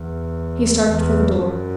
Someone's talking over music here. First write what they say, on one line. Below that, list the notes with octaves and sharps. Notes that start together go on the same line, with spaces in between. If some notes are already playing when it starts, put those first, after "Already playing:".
He started for the door.
Already playing: E2
E2
F#2